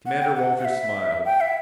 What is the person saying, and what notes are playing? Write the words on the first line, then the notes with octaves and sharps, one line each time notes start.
Commander Walters smiled.
F#5
G5
F#5
F#5
E5
G5
E5